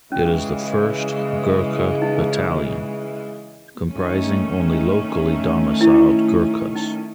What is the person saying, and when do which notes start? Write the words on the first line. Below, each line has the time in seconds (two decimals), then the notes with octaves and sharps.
It is the first Gorkha battalion comprising only locally domiciled Gurkhas.
0.12 C#3 E3 G#3 C#4
2.02 D#4
3.92 D#3 A3 C#4
5.81 E4
6.75 D#4